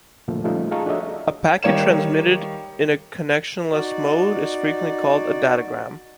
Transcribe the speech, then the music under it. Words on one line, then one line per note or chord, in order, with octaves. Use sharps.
A packet transmitted in a connectionless mode is frequently called a datagram.
A#2 D3 F3 A3
F3 G3 A3 C#4 D#4 F4
G#4 D#5 F5 A5 A#5 C#6
D4 F#4 A4 C#5 D#5 E5
D#3 G3 C#5 F5 E7
D#4 F#4 D5